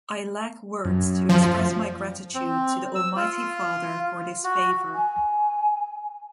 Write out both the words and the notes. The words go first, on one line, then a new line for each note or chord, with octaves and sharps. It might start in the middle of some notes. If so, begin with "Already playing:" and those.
I lack words to express my gratitude to the Almighty Father for this favour.
F#2
F3
C4
E6
F4
F#4
G#5